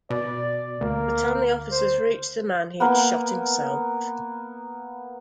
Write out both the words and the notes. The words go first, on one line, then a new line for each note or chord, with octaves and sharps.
By the time the officers reached the man, he had shot himself.
B2 D5
D2 A#3
C5
A#3 B3